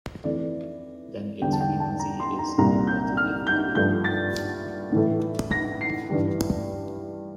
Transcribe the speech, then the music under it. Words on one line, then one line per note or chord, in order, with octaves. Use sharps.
Then its frequency is converted if needed.
F2 E3 A3 D5
E2 D3 G3 G5
A5
G5
A5
A#5
C6
A#5
C2 A#2 G3 A#5
G6
F6
G6
G2 F3 A3 G6
A6
A2 E3 A3
A#6
C7
G2 E3 G3